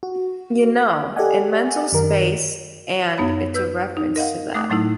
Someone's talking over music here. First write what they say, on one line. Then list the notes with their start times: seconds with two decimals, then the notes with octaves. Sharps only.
You know, in mental space and it's a reference to that.
0.03 F#4
1.16 G4 A4 D5 D#5 F#5 G#5
1.93 F#2 D#3 A#4
3.18 F#2 B3 D#4 C#5 B5
3.54 B4 E6 G6
3.97 D#4
4.16 A#4 D#5 F5 F#5
4.54 A3 D6 D#6 F#6
4.70 A2 F#3 A3 D#4 E4